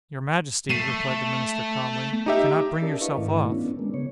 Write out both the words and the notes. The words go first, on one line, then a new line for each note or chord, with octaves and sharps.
Your majesty, replied the minister calmly, cannot bring yourself off.
A3 C7 D#7 E7
D#4 G4 E5
C#4 G4 A#4 D5 A5
D4 E4 B4 D#5 F5 C#6
G#2 D#3 A3 E4
B3 C#4 D4
G#3 A#3
C#3 B3 C#5